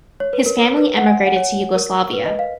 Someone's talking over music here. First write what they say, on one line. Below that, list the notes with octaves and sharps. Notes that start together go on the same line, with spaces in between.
His family emigrated to Yugoslavia.
C#5
B4
A#4
A#4
B4
F#5
G#5
F#5
C#5
A#4
B4
D#5
F5